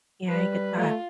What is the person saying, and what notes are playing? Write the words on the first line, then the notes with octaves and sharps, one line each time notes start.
Yeah, I get that.
G3 B4
A3 F4